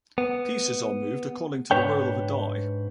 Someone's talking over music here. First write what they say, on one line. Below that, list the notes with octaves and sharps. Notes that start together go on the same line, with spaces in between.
Pieces are moved according to the roll of a die.
B3
G#2 D4 B4 C#5 G5